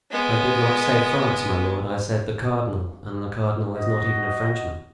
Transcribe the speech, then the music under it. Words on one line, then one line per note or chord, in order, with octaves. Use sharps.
"I did not say France, my lord; I said the cardinal, and the cardinal is not even a Frenchman."
G#3 B3
F#4 D#5